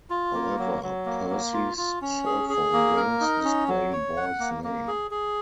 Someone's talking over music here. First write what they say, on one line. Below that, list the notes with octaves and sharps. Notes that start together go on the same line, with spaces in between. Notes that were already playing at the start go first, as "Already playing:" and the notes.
However, Percy's cellphone rings, displaying Ball's name.
F4
A#3
F#3
F#3
A#3
A#3
F4
F4
C#4
G#4
G#4
A#3
A#4
D#4
C#4
F#3
C#5
F#5
A#3
A#3
G#4
G#4